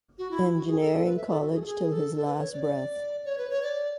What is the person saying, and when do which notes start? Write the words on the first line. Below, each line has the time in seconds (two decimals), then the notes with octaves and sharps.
Engineering College till his last breath.
0.18 F#4
0.31 E4
0.55 F#4
0.68 G#4
0.80 A4
0.93 A4
1.05 B4
1.17 E5
1.29 A4
1.42 F#4
1.54 G#4
1.62 A4
1.66 G#4
1.90 A4
2.15 A4
2.27 B4
2.39 C#5
2.52 D5
3.25 C#5
3.38 B4
3.50 C#5
3.63 D5